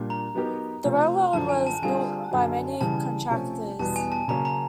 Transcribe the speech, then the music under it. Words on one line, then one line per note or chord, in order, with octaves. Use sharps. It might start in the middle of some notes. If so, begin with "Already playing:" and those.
The railroad was built by many contractors.
Already playing: A#2 G3 A#3 D4
A#5
F#3 B3 D#4 G4 A#4
C3 F3 A3 C4 F4
F#2 D3 F3 A5
G#5
A5
D3 G3 C4 F4 G#4 G#5
F#2 D3 F#3
C#3 E3 G3 A5
C3 F3 A3 C#4
E2 B2 G3 B3 A5
G#5
A5
C#3 F#3 A#3 C#4 A#5
A#5